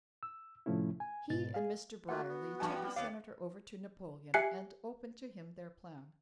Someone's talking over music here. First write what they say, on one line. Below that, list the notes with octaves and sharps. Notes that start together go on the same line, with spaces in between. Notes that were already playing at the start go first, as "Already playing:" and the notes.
He and Mr. Brierly took the Senator over to Napoleon and opened to him their plan.
E6
A2 C3 F3 A3 C#4 E4
G#5
G#2 B2 A6
G#4 F5
A3 A#3 F4 F#4 F#5 F#6
B3
F#2 E3 G3 G#5 A5 C#6
G3
D#2 B3 C#5 F5 D6
G4 E5 G#5 F#6 C7 C#7